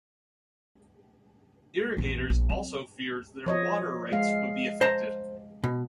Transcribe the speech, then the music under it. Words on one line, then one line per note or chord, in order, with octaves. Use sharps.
Irrigators also feared their water rights would be affected.
A#1 E2
A#1
F#3 C4
F3 C#5 D#5
G#3 F5
C5 A5 A#5
B2